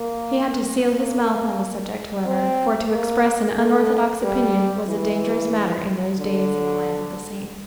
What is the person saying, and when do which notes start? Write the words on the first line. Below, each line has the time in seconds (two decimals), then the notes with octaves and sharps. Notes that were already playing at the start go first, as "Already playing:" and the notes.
He had to seal his mouth on the subject, however, for to express an unorthodox opinion was a dangerous matter in those days in the Land of the Saints.
Already playing: A#3
0.95 A#3
2.26 C4
2.92 A#3
3.56 A3
4.23 G3
4.87 E3
6.18 D3